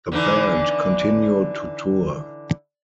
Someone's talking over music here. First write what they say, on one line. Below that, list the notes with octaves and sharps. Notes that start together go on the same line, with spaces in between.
The band continue to tour.
D3 E3 D#4